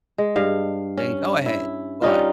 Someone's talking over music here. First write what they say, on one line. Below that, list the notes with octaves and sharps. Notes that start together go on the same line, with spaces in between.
then go ahead, but
G#3
G2 F5
C#4
E4
G3 C#4 D#4 F4